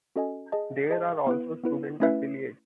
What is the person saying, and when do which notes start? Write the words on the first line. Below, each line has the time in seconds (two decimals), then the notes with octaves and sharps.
There are also student affiliates.
0.16 C#4 F#4 A4 D#5 G#5
0.52 G#4 D#5 A5
0.90 G#4 D#5 A5
1.27 B3 E4 B4
1.63 B3 E4 B4
2.00 A3 C#4 E4 B4 E5